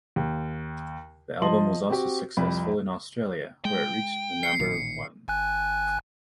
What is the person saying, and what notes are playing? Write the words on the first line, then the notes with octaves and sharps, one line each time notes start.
The album was also successful in Australia, where it reached number one.
D#2
F3 D#5 A5 C6 F#7
C4 F#4 G4
C2 F2 B5
G#3 G5
C7 C#7
A1 A#2 D#3
G#1 G#5 F#6